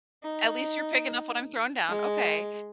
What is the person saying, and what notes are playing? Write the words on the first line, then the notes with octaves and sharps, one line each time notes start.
at least you're picking up what I'm throwing down, okay.
D#4
G#3